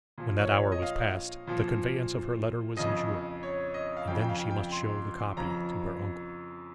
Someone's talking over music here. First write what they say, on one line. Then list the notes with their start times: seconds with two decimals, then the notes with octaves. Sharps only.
When that hour was passed, the conveyance of her letter was insured, and then she must show the copy to her uncle.
0.18 A#2 F3
0.39 C#5
0.72 D#5
0.82 F5
1.47 A#2 F3
2.77 F2 C#3 F3 D#5
3.43 C#5
3.74 D#5
3.97 F5
4.07 F2 C#3 F3 G5
4.21 G5
4.29 F5
4.51 G5
4.72 C6
5.37 F2 C#3 F3 A#5